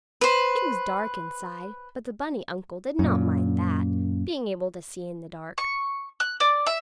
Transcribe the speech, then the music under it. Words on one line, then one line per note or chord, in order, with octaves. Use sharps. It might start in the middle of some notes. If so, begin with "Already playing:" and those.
It was dark inside, but the bunny uncle did not mind that, being able to see in the dark.
B4 C5
F#2 A#2
C#6
F#6
D5
E5